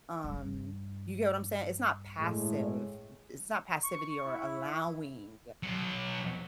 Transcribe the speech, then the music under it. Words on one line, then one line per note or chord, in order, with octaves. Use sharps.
um, you get what I'm saying? It's not passive it's not passivity or allowing,
G2
A2 G#3
C#6
E4
B2 F#3